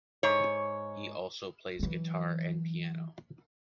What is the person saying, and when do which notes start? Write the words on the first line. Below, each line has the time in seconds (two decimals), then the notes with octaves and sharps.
He also plays guitar and piano.
0.23 G#2 C#5
1.79 E3 F#3